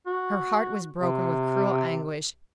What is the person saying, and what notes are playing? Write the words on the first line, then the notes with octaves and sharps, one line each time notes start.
Her heart was broken with cruel anguish.
F#4
C3